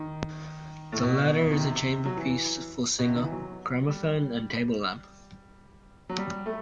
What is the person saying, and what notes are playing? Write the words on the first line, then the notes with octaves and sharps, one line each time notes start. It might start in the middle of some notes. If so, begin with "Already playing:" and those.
The latter is a chamber piece for singer, gramophone and table lamp.
Already playing: D#3
A2
B2
D#3
C3
F#3
E3
B2
C3
D#3
E3
F#3
G3
F#3
G3
A3